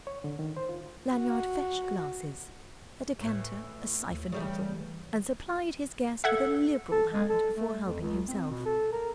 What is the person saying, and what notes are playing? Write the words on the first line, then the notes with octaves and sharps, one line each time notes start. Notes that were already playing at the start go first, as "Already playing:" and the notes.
Lanyard fetched glasses, a decanter, a siphon-bottle, and supplied his guest with a liberal hand before helping himself.
C#5
D3
D#3
C5
F4
F#4
A2 E3
D#2
C#3 E3 G3 A3
A4 E5 F#5 G#6
A4
G#3
A4
A3
F2
C#2
C4
B2
A4
A#4